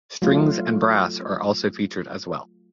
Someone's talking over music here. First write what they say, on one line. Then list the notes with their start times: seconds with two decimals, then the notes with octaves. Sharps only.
Strings and Brass are also featured as well.
0.22 F#3 A3 F4